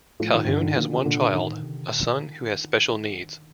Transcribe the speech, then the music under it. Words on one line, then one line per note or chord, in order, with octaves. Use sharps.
Calhoun has one child, a son who has special needs.
A2 F3
D#3
A2
G2 D3
D#3
A2
A#2 F3
C3
A#2 D3
A2 D#3
C3
A#2